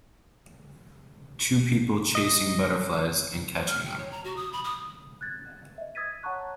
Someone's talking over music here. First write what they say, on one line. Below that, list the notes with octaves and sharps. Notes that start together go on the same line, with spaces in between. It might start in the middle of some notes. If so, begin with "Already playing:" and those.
Two people chasing butterflies and catching them.
D#5
C5
F6
G5
C#5
A#5
F#4
D#6
B5
D#6
F#6 G#6 A6
D#5 E5
D#6 E6 G#6 A6 B6 D#7
C#5 F#5 A5 A#5 C#6 F#6